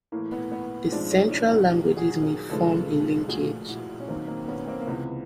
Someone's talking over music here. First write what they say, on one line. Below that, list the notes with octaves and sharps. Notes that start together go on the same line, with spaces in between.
The Central languages may form a linkage.
A2 E3 A3 A#3
B3
B3
G#2 F3 G#3 C4 D4
C#4 D#4
D4 E4
E4 F#4
D#2 D#3 F#3 F4 G4
F#4 G#4
G#4 A#4
D#2 C#3 F3 G#3 A4 B4
A#2 F3 A3 F#4 G#4
E4 F#4
C#4
D#2 D#3 F#3 A#3 C4
A#3 C4
B3 C#4
A#3 C4
A#3
C#2 C3 E3 B3